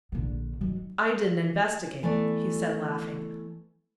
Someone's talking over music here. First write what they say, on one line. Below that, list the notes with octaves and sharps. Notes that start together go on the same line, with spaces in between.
"I didn't investigate," he said, laughing.
A#1 D3
D#3 F#3
E3 A3 B3 D5